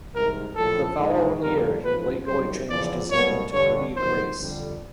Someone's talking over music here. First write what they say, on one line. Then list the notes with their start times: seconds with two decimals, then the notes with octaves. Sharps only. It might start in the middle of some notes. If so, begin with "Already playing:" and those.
The following year he legally changed his name to Goody Grace.
0.13 C2 C3 D#3 G#3 A#4
0.56 A#1 A2 F3 A4
0.98 A#1 G#2 D#3 G#3
1.41 F2 D3 G3 A#3 A#4
1.83 A1 G#2 F3 B4
2.26 F#1 F#2 D#3 G3 A#3 C5
2.68 F#1 E2 C#3 F3 D5
3.10 C2 B2 F#3 A#3 C#5
3.52 G2 D3 G3 C#5
3.95 G1 F2 C3 D#3 F#3 C5
4.38 F2 D3 G3